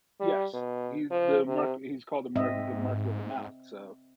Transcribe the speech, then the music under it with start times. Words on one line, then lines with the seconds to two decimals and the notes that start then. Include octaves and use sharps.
Yes, he the Merc he is called the Merc the Merc with a Mouth, so
0.20 G3
0.54 B2
1.10 F3
1.47 C3
2.36 G#2 C4 D#5 E5